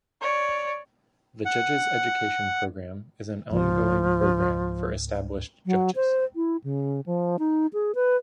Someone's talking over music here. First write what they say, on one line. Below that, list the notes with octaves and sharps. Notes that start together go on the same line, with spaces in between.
The judges education program is an ongoing program for established judges.
C#5 D5
F#5
C#2 G#2 F3
F#3
C5
E4
C#3
F3
D#4
G#4
B4